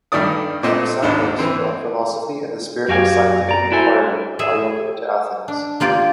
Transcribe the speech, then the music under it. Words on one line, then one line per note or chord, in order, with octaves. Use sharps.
Anaxagoras brought philosophy and the spirit of scientific inquiry from Ionia to Athens.
G2 D#3 A3 D5 D#6
A#2 A3 C4 D#5
G#1 D#2 D4 D#4
E3 C4
F#2 F#4 G4 F5 G#5
D5 A#5
E4 F#4 A4 C5 E5 G#5
G#4 E5
D4
A#3 F4 G4 D5